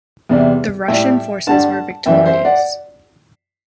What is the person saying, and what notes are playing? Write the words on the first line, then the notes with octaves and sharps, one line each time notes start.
The Russian forces were victorious.
E2 C3 G3
A2 G3 E5 G5
G2 D3 G3 F#5 A5
F#2 E3 G3 E5 G5
C5 E5
D5 F#5